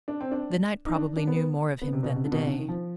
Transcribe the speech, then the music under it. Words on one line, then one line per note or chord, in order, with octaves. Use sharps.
The night probably knew more of him than the day.
D4
C4
D4
D#4
D4
D4
B3
B3
C3
B2
C3
D3
B2
C3
D3
D#3
F3